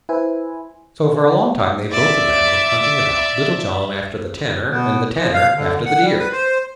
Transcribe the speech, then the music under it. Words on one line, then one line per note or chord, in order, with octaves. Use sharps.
So for a long time they both of them went hunting about, Little John after the Tanner, and the Tanner after the deer.
E4 B4 C5 E5 G#5
D5 E5
B2
F3
F5
D3
F#5
G3
B4
C5